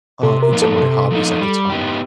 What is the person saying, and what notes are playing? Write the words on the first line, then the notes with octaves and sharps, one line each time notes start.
uh, into my hobbies at the time.
C3 A4
A#4
F3 A#3 D#4
A4
C3
F3 A#3 D#4
G3
B3 D#4 G4